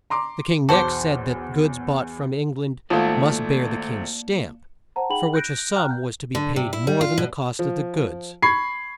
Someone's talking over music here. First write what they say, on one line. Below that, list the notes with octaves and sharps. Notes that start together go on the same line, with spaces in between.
The king next said that goods bought from Eng-land must bear the king's stamp, for which a sum was to be paid more than the cost of the goods.
A#5 C6 D6
B1 E2 F#4 C5 A5 D6 C#7
G#1 A3 A#3 F4 D5 F5 A5
C5 F#5 A5 A#5
D#4 G#4 F#5 G5 B5 F#7
F#6 G6 A#6 D7
F5 G5 A#5 F6 F#6
G6
D3
C3
E4
G3
F4
B2
F3
B5 C#6 G#6 C7